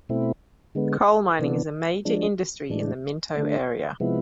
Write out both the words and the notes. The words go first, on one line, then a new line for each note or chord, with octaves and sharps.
Coal mining is a major industry in the Minto area.
B2 A3 C4 E4
D3 G#3 B3
C3 E3 B3 D4
F3 G#3 D4
A2 E3 G#3 D4
D3 A3 D4
C3 F3 G#3 B3 E4